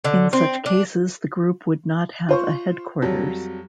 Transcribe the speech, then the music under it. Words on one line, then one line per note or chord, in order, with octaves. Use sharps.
In such cases the group would not have a headquarters.
D3
C4
D4
F4 C5 C#6
F2 F#3 G3